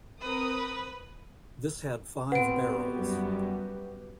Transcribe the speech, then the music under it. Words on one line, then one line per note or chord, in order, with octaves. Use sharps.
This had five barrels.
C4 A#4 B4 D#6
A2 B3 C4 F#4 G4 B4 F#5 D7
F#2 G3